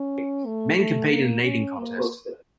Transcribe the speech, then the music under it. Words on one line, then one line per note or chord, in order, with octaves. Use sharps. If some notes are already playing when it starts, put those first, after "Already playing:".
Men compete in an eating contest.
Already playing: C#4
A3
A3
A#3
C#4
A#3